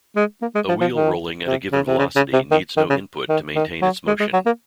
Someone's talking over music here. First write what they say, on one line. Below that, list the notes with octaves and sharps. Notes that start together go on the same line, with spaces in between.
A wheel rolling at a given velocity needs no input to maintain its motion.
G#3
A#3
G#3
F3
F3
D#3
C3
C#3
C3
C#3
C#3
C3
D#3
D#3
C#3
D#3
D#3
F#3
G#3
G#3
F#3
A#3